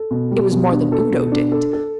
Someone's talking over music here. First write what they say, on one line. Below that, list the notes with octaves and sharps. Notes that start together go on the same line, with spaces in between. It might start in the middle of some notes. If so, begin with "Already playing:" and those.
It was more than Udo did.
Already playing: A4
B2
G3
B2
D4
A4
B2
D4
A4
A4